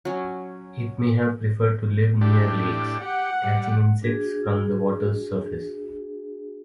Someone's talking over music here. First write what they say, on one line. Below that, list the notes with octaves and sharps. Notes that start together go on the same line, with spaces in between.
It may have preferred to live near lakes, catching insects from the water's surface.
F#3 C#4
A2 D4 G4
G4 F#5
G3
D4 F#4 G#4